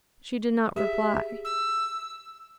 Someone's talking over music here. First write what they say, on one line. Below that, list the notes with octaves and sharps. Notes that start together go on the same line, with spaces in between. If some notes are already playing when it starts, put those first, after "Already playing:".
She did not reply.
G4 G#4 E5
E6